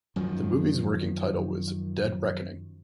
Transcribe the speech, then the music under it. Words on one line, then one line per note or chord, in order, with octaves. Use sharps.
The movie's working title was "Dead Reckoning".
F#2 D#3 F3